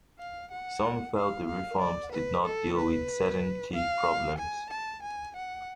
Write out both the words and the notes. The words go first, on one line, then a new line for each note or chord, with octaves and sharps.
Some felt the reforms did not deal with certain key problems.
F5
F#5
F5
F5
D5
B4
A4
B4
F5
G#5
A5
G#5
F#5